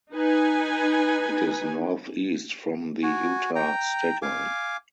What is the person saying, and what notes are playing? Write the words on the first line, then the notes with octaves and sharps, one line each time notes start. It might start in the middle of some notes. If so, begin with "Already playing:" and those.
It is northeast from the Utah state line.
D#4 B4 G#5
F#4 G#5
G5 A#5
F5 G#5 D6